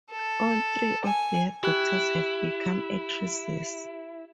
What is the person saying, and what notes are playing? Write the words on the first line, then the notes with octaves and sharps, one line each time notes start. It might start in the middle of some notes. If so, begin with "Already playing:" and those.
All three of their daughters have become actresses.
A4
G#5
E4 G4 F#6